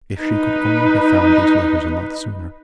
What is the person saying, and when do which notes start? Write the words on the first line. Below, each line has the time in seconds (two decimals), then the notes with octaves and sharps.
If she could only have found these letters a month sooner!
0.21 D#4 B4